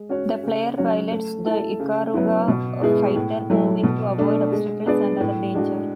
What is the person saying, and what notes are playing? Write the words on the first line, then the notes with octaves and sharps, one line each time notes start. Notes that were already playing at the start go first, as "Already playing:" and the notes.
The player pilots the Ikaruga fighter, moving to avoid obstacles and other danger.
Already playing: G#3
C#4 F#4 C#5
C#3
F#3 C#4 F#4 C#5
A3
E4 A4
C#3
F#3 B3 E4
B2
G#3 B3 E4 G#4
A2
F#3 A3 E4
B2
A3 D4
G#3
B3 D4 G#4 D5
A2
G#3 D4 F#4